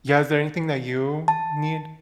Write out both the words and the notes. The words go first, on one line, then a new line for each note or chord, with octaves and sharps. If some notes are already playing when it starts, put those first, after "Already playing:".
yeah is there anything that you need
A5